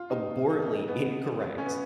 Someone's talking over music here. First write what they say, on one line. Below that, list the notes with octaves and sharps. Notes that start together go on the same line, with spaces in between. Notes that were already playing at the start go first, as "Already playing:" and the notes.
abhorrently incorrect
Already playing: F4
D#4
D#4
B3
C#4
B3